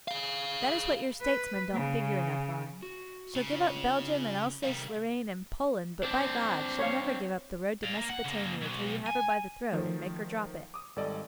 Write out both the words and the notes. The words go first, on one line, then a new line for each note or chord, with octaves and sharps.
That is what your statesmen don't figure enough on. She'll give up Belgium and Alsace-Lorraine and Poland, but by God! she'll never give up the road to Mesopotamia till you have her by the throat and make her drop it.
G#4 F5
B4
C#3
F#4
C#3
D4 F4 C#5
C3 D#3 G3 F5
C4 D4
C#5 F5
D5 F5
A#3
F#5
C#3 A#3
B1
G#5
D#3 F3 F#3 A3
D6 D#6
G#1 G3 A4 D5 D#5